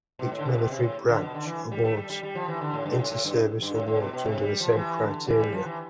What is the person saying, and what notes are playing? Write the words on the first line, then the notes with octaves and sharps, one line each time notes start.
Each military branch awards inter-service awards under the same criteria.
B2
A2
D3
C3
B2
C3
A2
D3
B2
D3
E3
G3
A3
G3
G3
G3
F3
E3
D3
A2
G2
A2
A2
G2
G2
A2
A2
B2
B2
C3
G3
F3
E3
D3
E3
G3
F3
E3